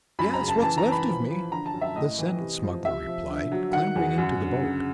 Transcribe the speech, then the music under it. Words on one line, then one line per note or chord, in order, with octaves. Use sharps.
"Yes, what's left of me," the sentenced smuggler replied, clambering into the boat.
F#2 B5
A#5
C#3
A5
E3 A5
A#5
E3
B5
F3
F3
D3 A#5
A5
F#2
E5
A2 D#5
E3
C3
F3
C3 E5
F3
D3
F#3
D#3 F#5
E2
F#2
D3
C#3